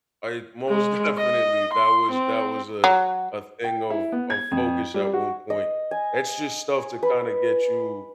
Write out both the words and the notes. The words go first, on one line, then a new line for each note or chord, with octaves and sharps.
I Most definitely, that was that was, uh, a thing of of focus at one point. It's just stuff to kinda get you
G#3
D#5
C6
C4
F#3
G5
E4
B3
G#6
F2
G3
F#4
D#5
G#5
B4